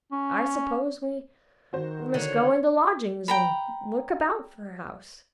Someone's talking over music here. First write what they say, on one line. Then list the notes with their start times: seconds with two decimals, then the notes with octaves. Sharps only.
'I suppose we must go into lodgings, and look about for a house.
0.12 C#4
1.73 D#3 F#4 C5
2.14 D3 C#5
3.28 G5 A#5 B5